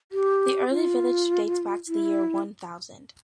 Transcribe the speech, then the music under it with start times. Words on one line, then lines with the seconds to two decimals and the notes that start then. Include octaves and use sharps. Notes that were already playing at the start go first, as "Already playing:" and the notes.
The early village dates back to the year One Thousand.
0.12 G4
0.70 F4
1.88 E4